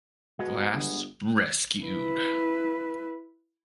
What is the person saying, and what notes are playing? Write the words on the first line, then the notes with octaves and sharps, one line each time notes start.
Glass rescued.
B2 G#3 B3
G1
E4 B4